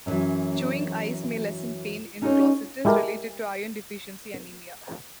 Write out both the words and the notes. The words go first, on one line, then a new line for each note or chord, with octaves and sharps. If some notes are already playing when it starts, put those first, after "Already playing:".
Chewing ice may lessen pain in glossitis related to iron deficiency anemia.
F#2 C3 D#3 E3 F#3
C#4 D#4 F4 A4 C5 C#5
G#3 E4 G4 A4 A#4